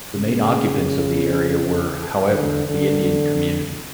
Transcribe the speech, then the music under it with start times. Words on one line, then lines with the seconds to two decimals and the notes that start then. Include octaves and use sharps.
The main occupants of the area were, however, the Indian community.
0.15 C#3
2.30 D3
2.67 D3